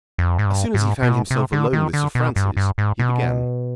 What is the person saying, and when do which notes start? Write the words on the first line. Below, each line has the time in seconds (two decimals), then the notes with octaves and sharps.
As soon as he found himself alone with Sir Francis he began.
0.18 F2
0.39 G#2
0.46 G2
0.74 G#2
1.03 B2
1.31 C3
1.52 D3
1.73 D#3
1.93 D3
2.15 B2
2.36 G2
2.57 G2
2.78 G#2
2.99 B2